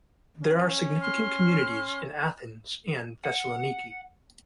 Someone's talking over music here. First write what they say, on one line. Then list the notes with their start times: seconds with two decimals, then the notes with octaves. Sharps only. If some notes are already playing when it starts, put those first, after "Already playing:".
There are significant communities in Athens and Thessaloniki.
0.43 C#4
1.01 C6 F6
3.25 F#5